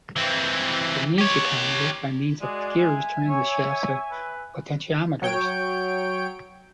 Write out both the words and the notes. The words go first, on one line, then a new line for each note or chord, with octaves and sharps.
The neGcon worked by means of gears turning the shafts of potentiometers.
E3 C4
G4 C#5
G#3 F#4 G#4 D5
E5 G#5
C#5
B4
F#3 C#5 G5 D7